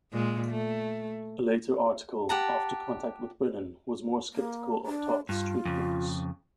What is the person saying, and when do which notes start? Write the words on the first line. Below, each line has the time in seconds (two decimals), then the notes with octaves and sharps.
A later article, after contact with Brennan, was more skeptical of Toth's truthfulness.
0.12 A#2 G#3
0.51 A3
2.29 G4 F#5 A5 A#5
4.33 A#3
4.86 D4
5.29 G2 F4
5.65 F2 C#3